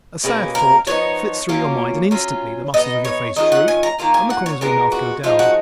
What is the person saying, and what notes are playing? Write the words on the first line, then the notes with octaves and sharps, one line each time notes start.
A sad thought flits through your mind and instantly the muscles of your face droop and the corners of your mouth go down.
B2 A#3 C#4 G#4
A#4
F3 B3 D#4 C#5
F#3 A#3 C#4 F4
F#3 C#4 F4
B2 F#3 B3 D#4 D#5
C#5
D#3 G#3 C#4 F4 D#5
F#5
G#5
A#5
D#3 A#3 F4 A#5
G#5
F#5
C#5
A#2 G#3 B3 A#4
F#4
F3 G#3 D#4 F4
F#4